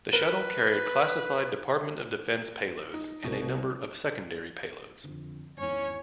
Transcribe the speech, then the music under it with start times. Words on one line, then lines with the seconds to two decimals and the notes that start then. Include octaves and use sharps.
The shuttle carried classified Department of Defense payloads and a number of secondary payloads.
0.13 A#4 B4
2.94 D#4
3.24 C2 B2
5.04 F2 D3
5.58 G#1 E2 E3 C#4 C#5